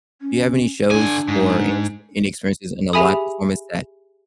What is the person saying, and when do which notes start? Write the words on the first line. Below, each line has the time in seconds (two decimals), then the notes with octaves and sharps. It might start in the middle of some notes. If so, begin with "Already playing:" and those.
do you have any shows, or any ex any experiences in a live performance that,
0.21 C#4
0.91 D3 D4 G#5
1.28 G#2
2.93 G4 G#4 E5 G#5 B5 D#6